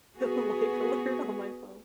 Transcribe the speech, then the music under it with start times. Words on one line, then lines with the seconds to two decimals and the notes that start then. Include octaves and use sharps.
Life alert on my phone.
0.18 B3 F#4 G#4